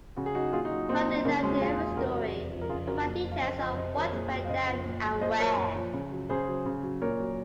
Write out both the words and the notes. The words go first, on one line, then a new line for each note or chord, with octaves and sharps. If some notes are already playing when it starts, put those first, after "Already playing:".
Friday narrated every story, providing details of what went down and where.
C#3 F#4
G#4
F#3 D#4 F#4
A#2 F4 G#4
D#4 F#4
F#3
A#2 C4 D#4
F#3
D#4
C#3 A#3 C#4
C#4
F#3 G#3 C4
A#2 F4 G#4
F#3
C3 F#4 A#4
F#3
C3
F3
A#4
C#3 F4 G#4
F#3 F#4 A#4
A#2
F#3
F5
C#3 C5 D#5
F3 C5 D#5
C3 C5 D#5
D#3 F#3 A#4 C#5
A#2 G#4 C5
F#3
F5
C#3 C5 D#5
F3
A#2
F#3
A#2 C5 D#5
F#3 A#4 C#5
A#2
F3
C#3
F#3
C#3 G#4 C5
F#3
C#3
F#3
A#2 A#4 C#5
F#3